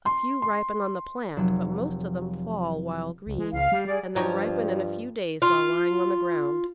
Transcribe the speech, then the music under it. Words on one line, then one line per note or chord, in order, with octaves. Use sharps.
A few ripen on the plant, but most of them fall while green, and then ripen in a few days while lying on the ground.
C6
C6
F1 F#3 E6
C#2
G#3
C#2 F5
G3
G3 G#4 D5
G2 F3 D#4 G4 C#5
F4